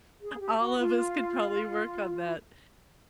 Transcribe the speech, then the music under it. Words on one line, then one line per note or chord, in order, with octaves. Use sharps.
all of us could probably work on that.
G#4
G4
F#4
F4